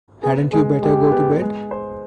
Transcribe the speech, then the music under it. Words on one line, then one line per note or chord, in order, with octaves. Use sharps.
Hadn't you better go to bed?
B3 G#4
G#3 G#4
G#3 G4
B3
G#3
C5